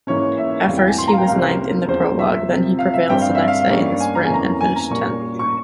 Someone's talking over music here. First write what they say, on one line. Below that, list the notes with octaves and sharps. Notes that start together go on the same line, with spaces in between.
At first he was ninth in the prolog, then he prevails the next day in the sprint and finished tenth.
G#2 E3 A#3 C#4 C#5
E5
F2 E3 G3 F5
G5
G#5
C6
A#5
F5
G5
C2 C3 G3 A#3 C#4 F5
C5
A#4
E2 C#3 F3 A#3 C5
E5
C3 F3 C4
F5
E5
G2 G3 C4 G5
F5
E5
F5
G2 G3 A#3 C#4
G#5
A#5
G#5
F2 E3 A#3 C#4 A#5
G#5
A#5
A#2 G3 A#3 C#4 C#6
C#6